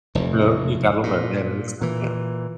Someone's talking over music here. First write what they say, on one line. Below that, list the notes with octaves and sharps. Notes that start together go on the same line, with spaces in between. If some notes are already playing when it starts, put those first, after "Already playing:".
So, you gotta learn that and accept it,
F1 E2
A#2
A#2 E3